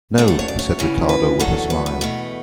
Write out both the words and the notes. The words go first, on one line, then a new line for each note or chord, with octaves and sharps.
"No," said Ricardo, with a smile.
D2 C#3 F#3 A3 A4
A4
C#5
D5
C#5
E2 C#3 E3
B4
E2 D3 F#3 A3 A4
B4
B4
E2 B2 A3